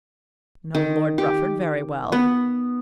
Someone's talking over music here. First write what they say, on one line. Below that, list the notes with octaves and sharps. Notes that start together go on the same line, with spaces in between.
"Know Lord Rufford very well!"
D#3
G4
B3